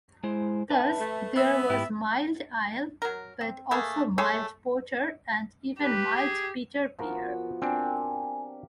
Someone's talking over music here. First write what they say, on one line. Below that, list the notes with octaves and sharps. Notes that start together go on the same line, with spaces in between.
Thus there was Mild Ale but also Mild Porter and even Mild Bitter Beer.
G#3 E4 C5
B4 E5 A5
A3
B3 E5
G#2 E4 G4
F#3 A#4
C4
A3 A#3 G#4 E5
A3 G#4 A4 C#5
G4 B4
G#4
F3 B3 F#4 A#4 A#5
C4 D4 G4 A#4 G5 G#5